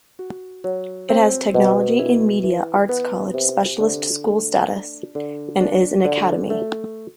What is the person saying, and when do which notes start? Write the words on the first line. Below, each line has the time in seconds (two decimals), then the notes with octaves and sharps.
It has Technology and Media Arts College specialist school status, and is an academy.
0.19 F#4
0.64 F#3
1.09 C4
1.54 B2
1.99 E4
2.44 E3
2.89 B3
3.34 C3
3.80 D3
4.24 A3
4.70 D4
5.15 D3
5.61 D4
6.05 D3
6.50 A3